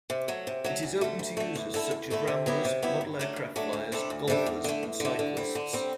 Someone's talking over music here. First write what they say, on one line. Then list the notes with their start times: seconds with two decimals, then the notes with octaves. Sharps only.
It is open to users such as ramblers, model aircraft flyers, golfers and cyclists.
0.10 C3
0.28 F#3 A3
0.47 C3
0.64 F#3 A3
0.83 D2
1.01 D3 A3
1.19 D2
1.37 D3 A3
1.55 E2
1.74 D3 A3 E4 A4
1.91 E2
2.10 D3 A3 E4 A4
2.27 C3
2.46 F#3 B3 E4 G4
2.65 C3
2.83 F#3 B3 E4 G4
3.01 G2
3.19 F#3 A3 D4
3.36 G2
3.56 F#3 A3 D4
3.73 D2
3.92 C3 G3 D4 A4
4.10 D2
4.28 C3 G3 D4 A4
4.46 E2
4.64 D3 A3
4.83 E2
5.00 D3 A3
5.19 D3
5.37 G3 C4
5.55 D3
5.73 G3 C4